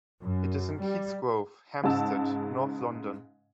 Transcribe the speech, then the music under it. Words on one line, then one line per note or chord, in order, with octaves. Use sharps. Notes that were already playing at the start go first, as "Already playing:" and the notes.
It is in Keats Grove, Hampstead, north London.
F#2
G3
G#2 C#3 D#5 A5 E6